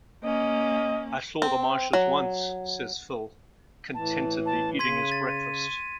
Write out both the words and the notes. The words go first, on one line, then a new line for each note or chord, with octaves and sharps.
"I saw the marshes once," says Phil, contentedly eating his breakfast.
A#3 C#4 D#5
C4
F#3
A2 E3 A5
A5
C#3 C6 G#6 B6 D#7
A6
D#7